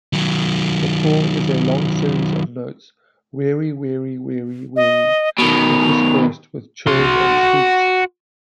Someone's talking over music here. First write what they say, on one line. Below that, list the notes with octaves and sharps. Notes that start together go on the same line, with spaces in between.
The call is a long series of notes, "weary-weary-weary-weary", interspersed with churrs and squeaks.
D#3 F#3
D#5
B2 D#3 F7
F#4 C6